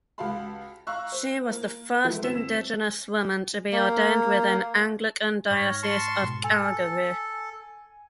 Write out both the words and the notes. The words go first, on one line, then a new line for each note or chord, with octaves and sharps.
She was the first Indigenous woman to be ordained within Anglican Diocese of Calgary.
C#2 F#4 G4 F5 A5 B5
F5 A#5 C#6 E6 F#6
C5
A#3
F3 F#3 G#3 A3 B3 E4
G1 C4 E6 B6 E7
A#3
G#2 C#5 F6 A#6
A5 C6 C#6
G#2 B2
A4 G#5